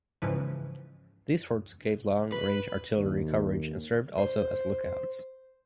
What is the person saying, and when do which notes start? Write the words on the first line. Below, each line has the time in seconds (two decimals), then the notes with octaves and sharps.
These forts gave long-range artillery coverage and served also as look-outs.
0.22 G#2 C#3 E3 F3 B4
2.32 B4
2.97 D#2
4.18 C5